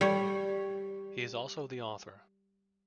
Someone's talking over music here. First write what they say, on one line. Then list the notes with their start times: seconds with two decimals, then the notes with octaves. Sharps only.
He is also the author.
0.01 G3 C#5